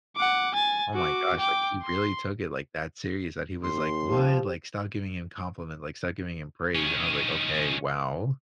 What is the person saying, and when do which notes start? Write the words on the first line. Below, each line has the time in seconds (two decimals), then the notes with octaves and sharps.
oh my gosh. Like, he really took it like that serious that he was like, why? Like, stop giving him compliment. Like, start giving him praise. And I was like, okay, wow.
0.17 F#5 D6
0.54 G#5 A6
0.94 F#4 D6
1.39 G5 D6
1.83 C6
3.63 D#2 C6
4.09 F3 G4
6.75 D#3 C#4